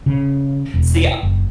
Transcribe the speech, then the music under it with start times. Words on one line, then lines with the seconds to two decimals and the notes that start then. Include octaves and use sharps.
See, uh
0.06 C#3
0.74 E1
1.23 F#1